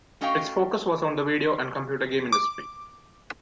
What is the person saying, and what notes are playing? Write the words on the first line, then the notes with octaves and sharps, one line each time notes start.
Its focus was on the video and computer game industry.
A3 C#4 F#4 D#5 F5 G5
D6